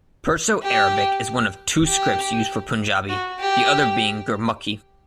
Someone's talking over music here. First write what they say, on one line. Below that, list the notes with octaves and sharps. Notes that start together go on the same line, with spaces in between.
Perso-Arabic is one of two scripts used for Punjabi, the other being Gurmukhi.
G4
G4
F#4
G4